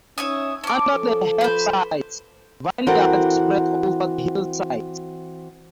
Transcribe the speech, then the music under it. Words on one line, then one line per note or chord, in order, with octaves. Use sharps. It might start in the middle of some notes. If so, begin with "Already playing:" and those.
Under the Hafsides, vineyards spread over the hillsides.
C#4 D#4 C#5 E5 D#6
C#4 A5 D6
F3 A4
B4 C5
E3 C4 F#4 A4 A#4